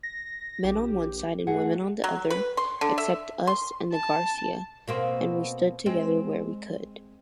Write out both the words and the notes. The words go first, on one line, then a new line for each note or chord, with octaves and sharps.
Men on one side and women on the other, except us and the Garcia, and we stood together where we could.
A#6
A#1 G4
A3 F#4 G#4 F#5
F#3
B4
C6
D3
E5
C6
A5
B2 A#3 C4
G#3 C4